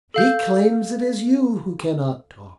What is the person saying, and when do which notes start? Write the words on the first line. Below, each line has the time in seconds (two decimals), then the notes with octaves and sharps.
"He claims it is you who cannot talk."
0.14 A4 F5 G6